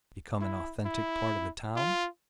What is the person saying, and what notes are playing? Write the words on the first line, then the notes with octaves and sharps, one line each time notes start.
Become an authentic part of the town?
E4
E4
F4